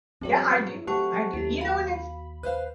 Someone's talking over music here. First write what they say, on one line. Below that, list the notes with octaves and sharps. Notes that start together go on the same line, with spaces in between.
Yeah, I do, I do. You know, and it's
G2 E3 F#3 C4 G#4 C#5
F#3 A3 C4 G4 A4 F#5 A5 C#6
D#2 E4 G4
F#4 F5 B5
B4 C5 F5 F#6